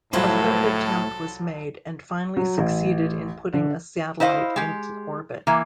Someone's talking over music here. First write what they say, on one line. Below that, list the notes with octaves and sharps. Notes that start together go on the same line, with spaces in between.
A third attempt was made and finally succeeded in putting a satellite into orbit.
C2 A2 F3 F#3 A3 E4 A4 C5
F#3
A1
D3
E4 C5 D#5 F5
G#3 G4
E3 A#3